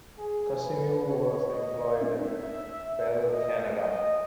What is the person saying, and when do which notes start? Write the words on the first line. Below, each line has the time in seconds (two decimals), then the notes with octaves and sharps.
Cousineau was employed at Bell Canada.
0.19 G#4
0.64 B4
1.08 C#5
1.52 D#5
1.97 E5
3.30 D#5
3.75 D#5